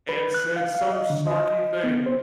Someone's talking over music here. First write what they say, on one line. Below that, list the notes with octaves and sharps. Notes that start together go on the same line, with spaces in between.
And said some snarky thing,
B4
F#6
F5
F5
D#5
D3
D#5
B3
C5